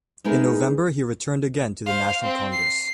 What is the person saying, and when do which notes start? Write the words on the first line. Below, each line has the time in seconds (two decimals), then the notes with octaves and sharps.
In November he returned again to the national congress.
0.24 G#3 B3 D#4 E4 G#4 A#4
1.86 C5 F5
2.22 C4
2.53 C7